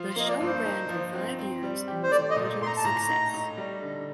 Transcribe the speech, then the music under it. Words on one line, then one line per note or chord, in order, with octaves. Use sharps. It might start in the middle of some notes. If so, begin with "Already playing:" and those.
The show ran for five years and was a major success.
Already playing: F3 F4
C6
A#3 D#5
D5
G2
C5
D#4
F3
C4
C4
G3
G4
C5
A3 D5
D#5
A#2
A#2 C6
A#5
A5
A2 A#5
D#4
D#4
G3
D3